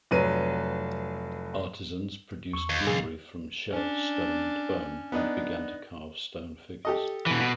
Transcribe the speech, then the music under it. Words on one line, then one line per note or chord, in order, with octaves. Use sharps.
Artisans produced jewelry from shell, stone, and bone, and began to carve stone figures.
F1 F#3 B4 D#7
E2 C#6
D#2
A2 C3 F3 G#4
C#4 D4
B3 D4 D#4
G4 A4 D#5
B2 E3
B2